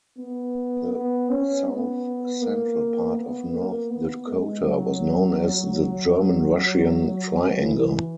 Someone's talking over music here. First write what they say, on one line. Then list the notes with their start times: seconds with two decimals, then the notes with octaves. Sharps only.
The south-central part of North Dakota was known as "the German-Russian triangle".
0.18 B3
0.93 B3
1.30 C#4
1.67 B3
2.42 A#3
3.16 B3
3.53 A#3
3.90 B3
4.28 G#3
4.65 F#3
7.63 E3